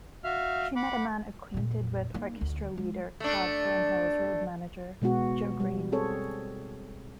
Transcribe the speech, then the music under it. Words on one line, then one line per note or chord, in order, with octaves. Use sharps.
She met a man acquainted with orchestra leader Claude Thornhill's road manager, Joe Green.
F#4 E5 F5 F6
F#5 B5 D6
F2 A#2
A#3 D#4
D2
G#3
A3 D4
B2 G#3 B3 F#4
G3
C4 G#4 A4 C#5